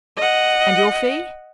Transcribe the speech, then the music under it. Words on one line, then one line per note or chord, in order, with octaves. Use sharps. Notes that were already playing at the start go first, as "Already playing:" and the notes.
"And your fee?"
D#5 F#5